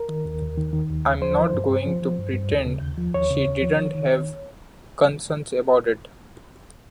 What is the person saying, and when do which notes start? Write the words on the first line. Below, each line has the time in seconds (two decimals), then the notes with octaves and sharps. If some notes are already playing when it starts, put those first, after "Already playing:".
I'm not going to pretend she didn't have concerns about it.
Already playing: A#4
0.09 D#3
0.25 D#2
0.42 D#2
0.58 D#3
0.73 D#3
0.89 D#2
1.05 D#2
1.21 F3 C5
1.38 F3
1.54 G2
1.70 G2
1.86 F3
2.02 F3
2.18 G2
2.34 G2
2.51 D#2
2.66 C#3
2.82 D#2
2.98 F3
3.14 D#2 C#5
3.30 C#3
3.47 D#2
3.62 F3
3.78 D#3
3.94 D#3